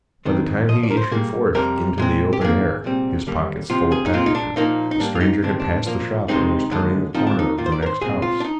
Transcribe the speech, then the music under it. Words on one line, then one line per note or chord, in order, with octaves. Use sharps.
By the time he issued forth into the open air, his pockets full of packages, the stranger had passed the shop and was turning the corner of the next house.
F2 D#3 G#3 C4
D2 C3 F3 D#5
D5
A#4
C5
A#2 G3 A#3 G#4
F2 C3 G3 A#4
A#2 G#3 C4
G4
G#2 D#3 A#3 G#4
C2 A#2 G3 C4
D#2 D3 G3 A#3
C2 C3 F3 F4
G#4
D#4
A#2 G#3 C4 F4
D#4
D4
A#2 F3 A#3 D#4
D#4
G#2 G3 A#3 D4
F4
D#4
D2 C3 D#3 G#3 C4 D4
D4
A#2 F3 A#3
C2 C3 D#3 G#3 C4 D#4
D#2 D3 G#3
D2 D3 F3 C4 D#4
D4
D#4
G#2 D#3 A#3 F4
C5
D5
A#4
C5
C2 A#2 G#3 C4 G#4
F4
D4
D#4